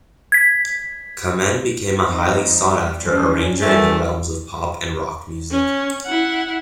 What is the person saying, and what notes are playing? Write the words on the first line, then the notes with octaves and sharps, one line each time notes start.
Kamen became a highly sought-after arranger in the realms of pop and rock music.
G#6 B6
F2 D#4
G3
F3 C#4 D4
F#2 E3 G3 A3
C#4
E4 F#5